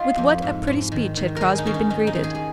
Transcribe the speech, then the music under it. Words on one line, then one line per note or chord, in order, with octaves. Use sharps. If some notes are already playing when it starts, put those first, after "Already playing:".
With what a pretty speech had Crosbie been greeted!
Already playing: D#4 F4
F2
G#2
G#2
D#3
D#3
D#3 G#4 A#4
D#4
D#3 C#4
D#4
D#3 D#4
D#4
D#3
G#4
G#4